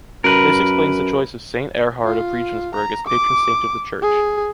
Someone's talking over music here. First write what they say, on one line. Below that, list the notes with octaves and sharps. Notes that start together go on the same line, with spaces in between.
This explains the choice of St. Erhard of Regensburg as patron saint of the church.
F#2 A#4 B4
F4
A#5
D6
G#4